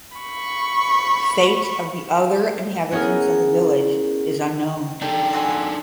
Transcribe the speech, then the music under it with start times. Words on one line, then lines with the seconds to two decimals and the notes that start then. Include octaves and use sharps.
Fate of the other inhabitants of the village is unknown.
0.17 B5 C#6
2.91 B3 C#4 E4 G#4 A#4
5.02 D4 D#4 G4 A4
5.33 C4 F#4 G#5